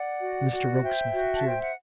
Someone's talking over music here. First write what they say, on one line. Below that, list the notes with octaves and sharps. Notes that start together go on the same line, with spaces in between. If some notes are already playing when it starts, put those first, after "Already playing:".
Mr Rokesmith appeared.
Already playing: D5 F#5
F#4
F#4
C5 E5 G5
F#4
A5
C5 G5
F#5